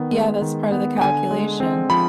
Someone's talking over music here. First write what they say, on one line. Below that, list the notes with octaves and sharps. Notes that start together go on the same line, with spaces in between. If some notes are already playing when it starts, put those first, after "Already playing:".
yeah, that's part of the calculation,
Already playing: D#3 B3
G#3
D#3
B3
D3 G#5
G#3
C4
F3 B5